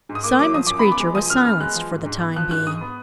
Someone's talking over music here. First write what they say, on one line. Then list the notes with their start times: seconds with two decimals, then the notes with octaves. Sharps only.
Simon Screecher was silenced for the time being.
0.09 G#2
0.15 D#6
0.24 A#3 D6
0.39 F#3 D6
0.54 F3 D#6
0.67 F#2 D6
0.79 B5
0.85 B3
0.92 D6
1.00 G#3
1.15 F3 D#6
1.30 F#2 F6
1.45 B3 F6
1.60 G#3 F#6
1.75 F3
1.91 G#2
2.05 G#2
2.21 B3
2.36 F3 F#6
2.51 G#2 F#6
2.67 G#2 D#6
2.81 B3